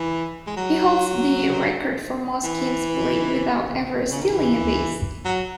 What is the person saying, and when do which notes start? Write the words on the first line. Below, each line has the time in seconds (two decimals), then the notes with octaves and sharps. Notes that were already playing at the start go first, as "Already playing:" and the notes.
He holds the record for most games played without ever stealing a base.
Already playing: E3
0.47 G#3
0.57 F#3
2.44 E3
4.12 C#3
4.21 D#3
4.31 E3
5.25 F#3